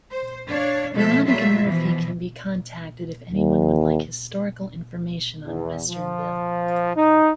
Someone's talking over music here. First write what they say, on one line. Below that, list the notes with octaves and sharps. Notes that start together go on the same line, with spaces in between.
Veronica Murphy can be contacted if anyone would like historical information on Westernville.
C5
D4 C#5 D5 F5
B2 F3 A3 A4 E5
F#3 G3 A3 F4 E5
B2 E3 F3
D#2
E2
F3
D#4